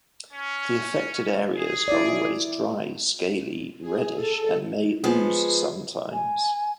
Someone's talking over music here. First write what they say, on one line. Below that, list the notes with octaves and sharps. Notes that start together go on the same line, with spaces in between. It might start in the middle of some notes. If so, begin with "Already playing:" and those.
The affected areas are always dry, scaly, reddish and may ooze sometimes.
C#4
G#4
E4 D5
G#4
A4
F3 G#3 B3 G#4
G#5